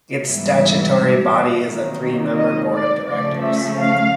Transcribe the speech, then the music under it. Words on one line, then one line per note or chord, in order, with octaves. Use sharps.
Its statutory body is a three-member Board of directors.
G#2 E3 G3 B3 E5
C3 D#3 F#3 A#3 D#4
D#5
D5
C#3 F3 A3 C#4 D5
E5
F5